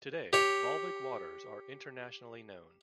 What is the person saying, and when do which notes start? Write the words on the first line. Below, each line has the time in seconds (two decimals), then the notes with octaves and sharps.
Today, Volvic waters are internationally known.
0.33 G4 C#5